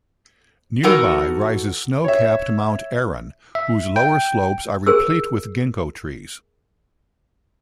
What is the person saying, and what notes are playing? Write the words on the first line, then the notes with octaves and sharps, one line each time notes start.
Nearby rises snow-capped Mount Aran, whose lower slopes are replete with ginkgo trees.
E3 D#4 F#4 A4 A#4
C#5 E5
E5
G5
G#4 A#4 C5 E6